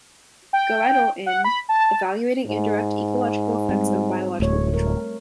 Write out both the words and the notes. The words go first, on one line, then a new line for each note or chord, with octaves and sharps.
Goettel in "Evaluating Indirect Ecological Effects of Biological Control".
G5
F#5
B5
A5
G#2
G3 G#3 C4
D1 A3 C#5
A#4